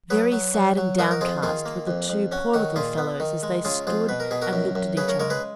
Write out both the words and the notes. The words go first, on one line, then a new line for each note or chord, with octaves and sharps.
Very sad and downcast were the two poor little fellows as they stood and looked at each other.
F#3 G#4 B4
F#3
F#3
F#3
D#4 F#4 A#4
A#4
F2 F4 G#4
D#3 F4 G#4
A#3
F2
F2
C#4 F#4
D#3 F#4
A#2 F4 G#4
B3
D#3
G#3
C#3 F4 G#4
F2 F4 G#4
B2 B4
A#4
B2 G#4
F#4 A#4
F#2
F#2
C#3 G#4 B4
A#4 C#5
G#3 A#4 C#5
G#4 B4